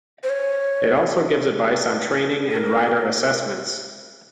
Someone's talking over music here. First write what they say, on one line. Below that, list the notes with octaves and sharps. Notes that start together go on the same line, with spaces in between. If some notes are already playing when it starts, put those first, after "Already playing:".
It also gives advice on training and rider assessments.
C5
C#5
A4
A#4